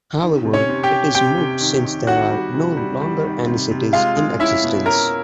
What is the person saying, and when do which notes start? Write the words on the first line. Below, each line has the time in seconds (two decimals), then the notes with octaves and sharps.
However it is moot since there are no longer any cities in existence.
0.22 D#3
0.45 C3
0.53 C#4 C#5
0.69 C3
0.83 G4 G5
0.92 C3
1.15 C3 G4 G5
1.38 C3
1.61 D#3
1.85 D#3
2.07 D#3 F#4 F#5
2.31 G3
2.54 C3
2.77 G3
3.01 G3
3.24 D#3
3.46 C3
3.71 C3
3.93 G#3 F4 F5
4.16 G#3
4.39 C#4 E4 E5
4.64 B2
4.86 C#4 A#4 A#5